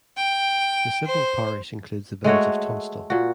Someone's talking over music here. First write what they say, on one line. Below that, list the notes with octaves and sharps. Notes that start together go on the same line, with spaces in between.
The civil parish includes the village of Tunstall.
G5
C5
G#3 A3 F#4 C#5
A#2 F#4